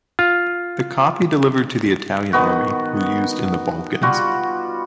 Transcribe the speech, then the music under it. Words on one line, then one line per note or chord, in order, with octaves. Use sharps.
The copy delivered to the Italian army were used in the Balkans.
F4
D#3 B3 F#4
G3 F4 F#4